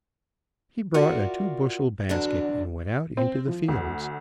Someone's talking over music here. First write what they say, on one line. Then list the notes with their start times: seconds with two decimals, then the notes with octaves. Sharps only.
He brought a two-bushel basket and went out into the fields.
0.94 F4 F#4 A#4 D5 E5 F#5
2.09 E2 D3 F#3 D4 F#4
3.17 C4
3.48 F3
3.68 D2